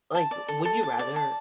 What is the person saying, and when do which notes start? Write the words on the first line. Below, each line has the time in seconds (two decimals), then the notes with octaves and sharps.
Like, would you rather
0.15 A5
0.31 D5
0.48 A4
0.65 A4
0.83 A5
0.99 D5
1.16 A5